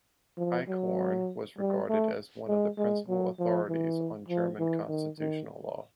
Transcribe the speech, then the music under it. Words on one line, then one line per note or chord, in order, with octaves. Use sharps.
Eichhorn was regarded as one of the principal authorities on German constitutional law.
F3
F#3
G3
A3
G#3
G#3
F#3
F3
E3
F3
E3
D#3
D#3